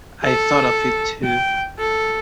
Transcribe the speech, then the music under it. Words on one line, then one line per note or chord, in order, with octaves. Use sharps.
I thought of it too.
A4
G5
A4